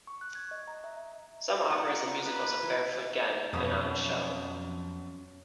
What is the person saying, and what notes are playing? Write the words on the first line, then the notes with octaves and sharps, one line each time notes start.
Some operas and musicals of Barefoot Gen have been on show.
C#6
F#6
G#6
D#5
A#5
E5
F4 F#5 A#5
D#4 B4
E3
B1 F2 F#3 C#4 B4 D#6